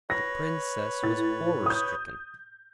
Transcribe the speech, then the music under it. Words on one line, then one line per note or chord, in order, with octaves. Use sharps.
The Princess was horror-stricken.
B4 C#5 A#6
A2 A6
D#6 G6